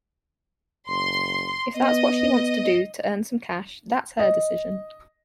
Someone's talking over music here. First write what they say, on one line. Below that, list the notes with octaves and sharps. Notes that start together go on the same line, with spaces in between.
If that's what she wants to do to earn some cash that's her decision.
F#1 C6
B3 D#5
D#5